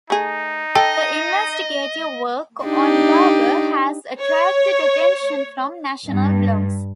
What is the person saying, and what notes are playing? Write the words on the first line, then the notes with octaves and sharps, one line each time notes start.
Her investigative work on Barbour has attracted attention from national blogs.
A3 D#4 G#4
A4 D#5 G5
D4 D#4 G4
C#5
G2